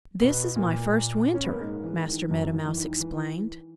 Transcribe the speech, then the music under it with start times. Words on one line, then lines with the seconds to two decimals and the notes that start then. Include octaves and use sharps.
"This is my first winter," Master Meadow Mouse explained.
0.21 B2 B3
0.56 A#2 A#3
1.34 C#4
1.44 B3
1.52 A#3
1.60 G#2 G#3
1.84 E3
2.07 D#3
2.30 F#2 F#3
2.53 E3
2.66 E3
2.76 D#3
3.00 E3